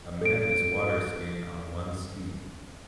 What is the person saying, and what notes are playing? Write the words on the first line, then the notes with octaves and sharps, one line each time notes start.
A man is waterskiing on one ski.
A4 D7